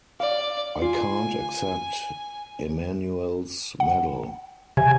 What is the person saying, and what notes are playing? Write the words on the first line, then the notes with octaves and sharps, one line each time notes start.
I can't accept Emanuel's medal.
D5 F5
F4 G#5
F#5
C3 G#5